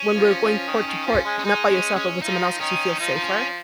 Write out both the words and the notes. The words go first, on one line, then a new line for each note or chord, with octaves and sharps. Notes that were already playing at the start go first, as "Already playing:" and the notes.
when we're going port to port, not by yourself, but with someone else 'cause you feel safer,
Already playing: C#4
F3
F3
D#3
D#3
F3
G#3
C#4
G#3 D#4
C#4
C#4
F3 D#4
D#3 C#4
F3 D#4
D#4
C#4